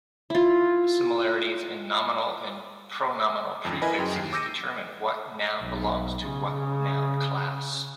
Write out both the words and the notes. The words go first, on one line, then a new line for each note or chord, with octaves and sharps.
Similarities in nominal and pronominal prefixes determine what noun belongs to what noun class.
E4 F4
G#1 F2
E4 A#4 B4 D#5 G#5 B5
F#2 G#4 G5
D#2 C7
D6 E6 G6 A#6 C#7 D#7
B1
C#3